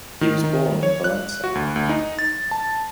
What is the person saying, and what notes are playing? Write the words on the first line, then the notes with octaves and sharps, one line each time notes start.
He was born in Valence.
D#3
D#3
C#5
F#6
F#4
D2
D2
D#4
A6
A5